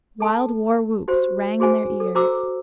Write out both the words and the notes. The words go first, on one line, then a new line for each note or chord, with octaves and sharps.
Wild war-whoops rang in their ears.
A4 A5
F#4 G4 C5
F#4 G#4 C5 G#5
A4
F#4 C5 A#5 D6 E6